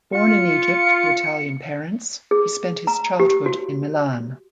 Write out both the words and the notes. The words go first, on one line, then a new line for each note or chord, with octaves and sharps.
Born in Egypt to Italian parents, he spent his childhood in Milan.
F4 C#7
G#4
A#5
G4
F#4